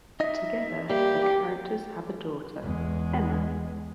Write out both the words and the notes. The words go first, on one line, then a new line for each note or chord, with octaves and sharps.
Together, the characters have a daughter, Emma.
D#4 D#5 E5
G3 A#3 G4
E2 G#3